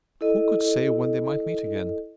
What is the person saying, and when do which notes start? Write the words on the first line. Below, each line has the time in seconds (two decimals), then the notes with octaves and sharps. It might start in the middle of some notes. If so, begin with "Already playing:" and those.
Who could say when they might meet again?
0.21 E4 A4 D#5